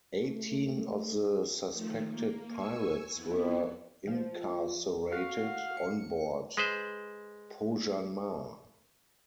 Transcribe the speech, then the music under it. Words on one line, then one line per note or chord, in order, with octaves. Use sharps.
Eighteen of the suspected pirates were incarcerated onboard "Pohjanmaa".
A3
D#3 F3 A3
A#3
G#5 C#6 E6
F2 B3 E4
F3
F#4 F5
C#7
G#3 B4 C5